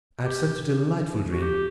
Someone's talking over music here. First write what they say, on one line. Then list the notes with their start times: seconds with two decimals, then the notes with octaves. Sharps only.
I had such a delightful dream.
0.25 G4
1.32 F#4
1.42 G4